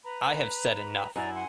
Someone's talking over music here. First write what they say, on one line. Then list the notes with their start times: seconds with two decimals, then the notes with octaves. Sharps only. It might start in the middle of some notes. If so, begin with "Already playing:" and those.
I have said enough.
0.04 B4 A#5 B5
1.16 F#2 E4 D5 G#5 A#5
1.33 F#5 G#5 C6